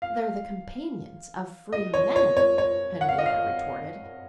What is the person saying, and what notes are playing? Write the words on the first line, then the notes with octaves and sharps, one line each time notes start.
"They're the companions of freemen," Henrietta retorted.
F5
D#5
C#5
C#5
C#5
C#5
F#5
F5
D#5
F5